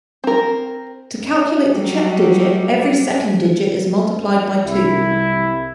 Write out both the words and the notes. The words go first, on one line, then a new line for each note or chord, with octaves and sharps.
To calculate the check digit every second digit is multiplied by two.
C4 A#4
F#3 G3
C2 E4